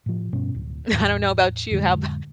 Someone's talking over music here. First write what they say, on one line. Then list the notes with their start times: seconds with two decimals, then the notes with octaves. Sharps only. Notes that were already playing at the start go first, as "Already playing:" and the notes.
I don't know about you, how about
0.06 A2 F3
0.32 G2 B2 C#4
0.54 D1
0.92 E2 A2
1.71 F2 A2 D3 G#3